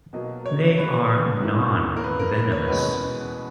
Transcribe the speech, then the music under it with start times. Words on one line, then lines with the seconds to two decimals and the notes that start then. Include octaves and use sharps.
They are non-venomous.
0.13 B2 F#3 A#3 D#5
0.46 C#5
0.77 B4
1.41 F#2 E3 A#3 C#4
1.97 A#4
2.04 B4
2.19 A#4
2.35 B4
2.52 C#5
2.67 E2 B2 G#3 C#4 B4